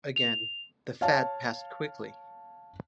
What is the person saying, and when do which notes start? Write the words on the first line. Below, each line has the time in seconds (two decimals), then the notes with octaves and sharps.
Again, the fad passed quickly.
0.16 F7
1.01 C#5 F5 A5